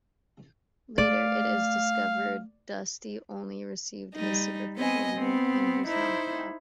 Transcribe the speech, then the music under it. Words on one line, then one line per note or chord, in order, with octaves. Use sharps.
Later it is discovered Dusty only received a superficial wound and was knocked out.
A3 D5 F5
G3 D#4
B3 C4 D#5 G#5
B3 C4
D#4 E4 C5